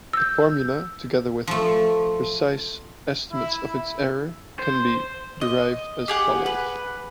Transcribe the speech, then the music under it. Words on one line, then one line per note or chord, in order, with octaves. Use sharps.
The formula, together with precise estimates of its error, can be derived as follows.
E6 G6
F3 A3
E4
C5
D#5
G4 G#4 F#5
B4